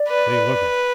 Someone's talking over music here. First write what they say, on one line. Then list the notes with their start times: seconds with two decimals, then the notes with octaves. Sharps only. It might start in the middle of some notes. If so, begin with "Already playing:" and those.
"They look it."
Already playing: D5
0.08 B4